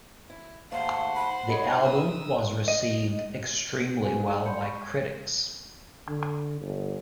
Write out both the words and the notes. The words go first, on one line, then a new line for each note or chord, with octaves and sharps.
The album was received extremely well by critics.
E4
D#2 G#2 A3 C5 F5 F#5
B5
D#4 C#5
A#4 B4 D#6 E6
D#5
G#4 C5 G#5
G#4 A#4 C5
D5 F#5 B5 C6 G6 C#7
C#6
G#6
D3
G1